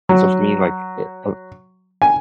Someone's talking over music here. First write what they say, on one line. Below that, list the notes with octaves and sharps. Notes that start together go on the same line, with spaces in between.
So for me, like, yeah, uh
F#3
G#5